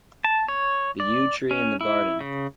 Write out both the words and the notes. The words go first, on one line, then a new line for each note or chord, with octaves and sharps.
The yew tree in the garden.
A5
C#5
D5
C#4
E4
C#3